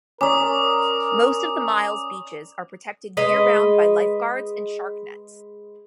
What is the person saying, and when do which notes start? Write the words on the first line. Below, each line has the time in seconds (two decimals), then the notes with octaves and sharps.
Most of the Mile's beaches are protected year-round by lifeguards and shark nets.
0.21 C#4 A#4 D5 A#5 D6 D#6
3.17 G#3 B4 D#5